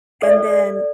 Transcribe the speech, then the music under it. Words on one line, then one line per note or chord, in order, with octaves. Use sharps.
and then
A4 D5